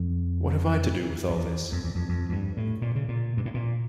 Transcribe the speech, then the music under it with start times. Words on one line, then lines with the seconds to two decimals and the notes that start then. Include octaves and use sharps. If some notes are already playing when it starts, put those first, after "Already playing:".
What have I to do with all this?
Already playing: F2
1.29 F2
1.36 E2
1.72 F2
1.84 E2
1.95 F2
2.09 F2
2.29 F2
2.32 G2
2.57 A2
2.82 A#2
2.95 C#3
3.08 A#2
3.37 G2
3.46 A2
3.54 A#2